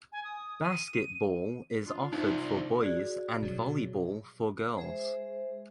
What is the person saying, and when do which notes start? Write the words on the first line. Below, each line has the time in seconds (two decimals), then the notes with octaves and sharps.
Basketball is offered for boys and volleyball for girls.
0.12 G#5
0.24 D#6
0.63 D#7
1.85 D4 F4
2.13 C2 D#4
2.81 F#4 G#4 D5
3.42 B2 F#3
4.77 G#3 G#4 C5 E5